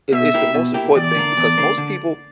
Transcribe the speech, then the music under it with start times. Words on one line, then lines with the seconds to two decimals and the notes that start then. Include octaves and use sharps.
It it's the most important thing, because most people
0.13 B2 E5
0.34 A#3 E4 G4
0.54 B2
0.74 A#3 E4 G4
0.95 E2 D5
1.16 D3 A#3
1.37 E2
1.58 D3 A#3
1.78 D3